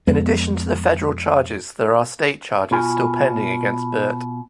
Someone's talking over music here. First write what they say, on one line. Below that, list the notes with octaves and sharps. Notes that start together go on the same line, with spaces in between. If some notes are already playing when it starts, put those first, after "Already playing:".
In addition to the federal charges, there are state charges still pending against Burt.
F2 G#3 B3
B2 F4 G#5